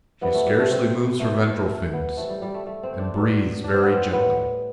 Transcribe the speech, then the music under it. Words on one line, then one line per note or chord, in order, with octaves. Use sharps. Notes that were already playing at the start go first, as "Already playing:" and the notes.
She scarcely moves her ventral fins, and breathes very gently.
C3 E3 G3 B3
A3
G3
A3
C4
B2 G3 A3
A3
B3
C3 E3 G3 A3
G3
G3
A3
A3
C4
D4
B2 G3 D4
D4
C4
B3
C4
A2 G3 B3